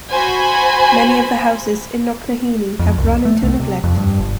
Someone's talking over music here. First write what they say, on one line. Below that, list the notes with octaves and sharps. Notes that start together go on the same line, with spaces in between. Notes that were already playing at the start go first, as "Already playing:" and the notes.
Many of the houses in Knocknaheeny have run into neglect.
F#4 C5 G#5 B5
F2
C2
A3
C2
C3
F2
G2
G1